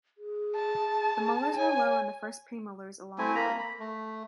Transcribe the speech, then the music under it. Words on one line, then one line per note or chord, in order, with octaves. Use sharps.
The molars were low and the first premolars elongated.
G#4
A5
C#5 G#5
A3 C4 E4 G#5
A#3 A#5 B5
B5
A3